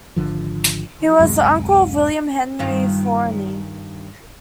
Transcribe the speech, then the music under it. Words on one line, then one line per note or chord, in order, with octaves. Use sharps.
He was the uncle of William Henry Forney.
G#1 D#2 D3 F3
D1 F#2 C3 G#3
G2 D#3 F4